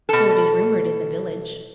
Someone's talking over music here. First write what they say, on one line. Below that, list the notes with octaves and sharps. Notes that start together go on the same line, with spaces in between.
'So it is rumored in the village.'
B2 A4